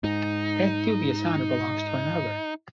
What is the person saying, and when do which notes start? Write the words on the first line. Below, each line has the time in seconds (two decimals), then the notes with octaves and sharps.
That dubious honor belongs to another.
0.04 G#2 D#4